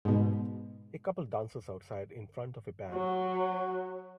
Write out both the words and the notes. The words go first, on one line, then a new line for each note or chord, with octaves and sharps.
A couple dances outside in front of a band.
G#2 B2
F#3 F#4